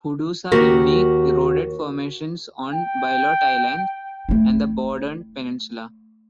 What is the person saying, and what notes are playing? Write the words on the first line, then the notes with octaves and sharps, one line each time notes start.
Hoodoos are unique eroded formations on Bylot Island and the Borden Peninsula.
D#2 F#4 G4 A#4
G5
A3 E4